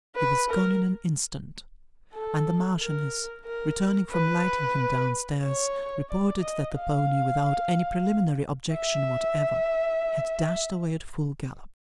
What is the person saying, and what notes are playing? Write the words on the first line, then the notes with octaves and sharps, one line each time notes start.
He was gone in an instant; and the Marchioness, returning from lighting him down-stairs, reported that the pony, without any preliminary objection whatever, had dashed away at full gallop.
B4
A#4
A4
A#4
A#4
B4
C#5
D5
D#5
F5
E5